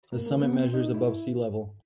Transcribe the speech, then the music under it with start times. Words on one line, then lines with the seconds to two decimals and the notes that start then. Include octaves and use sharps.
The summit measures above sea level.
0.12 A#3
0.26 A#3
0.39 B3
0.53 C4
0.73 D#4
0.94 E4